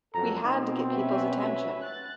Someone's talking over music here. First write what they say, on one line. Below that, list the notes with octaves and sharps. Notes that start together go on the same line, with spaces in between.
We had to get peoples' attention.
F2 F#3 A4 A#5
B2 C4 D#4
C#4 F#4 B4 E5
F#6 A6